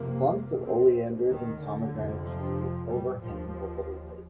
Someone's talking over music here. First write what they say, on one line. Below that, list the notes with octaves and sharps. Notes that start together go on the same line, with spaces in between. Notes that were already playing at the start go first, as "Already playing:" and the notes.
Clumps of oleanders and pomegranate trees overhang the little lake.
Already playing: F2 C3 A#3
D#2 C4
D#3
D3
F2 C3
F3
G3
D#2 F3